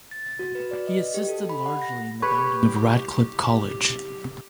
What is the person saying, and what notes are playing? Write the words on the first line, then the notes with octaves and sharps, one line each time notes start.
He assisted largely in the founding of Radcliffe College.
A6
F#4
B4
D5
D#5
G4
A4
B5
F#5
A#6
G4 B4 C#5 C#6